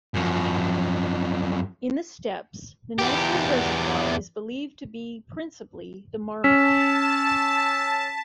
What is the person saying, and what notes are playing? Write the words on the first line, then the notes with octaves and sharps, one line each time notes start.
In the steppes, the natural reservoir is believed to be principally the marmot.
F#2 F3
E2 G4
C#4 A5 E6 B6